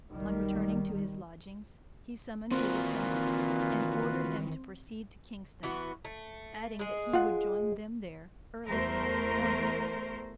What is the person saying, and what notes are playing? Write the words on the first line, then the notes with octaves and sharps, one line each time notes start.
On returning to his lodgings, he summoned his attendants, and ordered them to proceed to Kingston, adding that he would join them there early the next morning.
B1 D#3 G3
A#2 D#3 E3 C4 F4 F#4 B4
E3 B3 F#4
A3
G#3 G#4
F4 F#5
E2 A3 A#4 C5